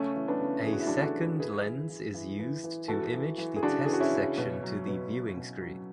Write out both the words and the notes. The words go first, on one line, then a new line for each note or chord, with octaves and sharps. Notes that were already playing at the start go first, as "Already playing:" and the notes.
A second lens is used to image the test section to the viewing screen.
Already playing: C#3 A3 C#4
E3
B3 D4
C#3
E3 G#4
F#4
E4
D4 F#4
E3
F#4 A4
E3
E3 G#4 B4
E3
E3
E3
E3
E3
E3 F#4 A4
E3
E3
G#4
C#3 D4 F#4
G#4
E3 F#4
C#4 E4
C#3
B2
F#3
B2
F#3
B2
F#3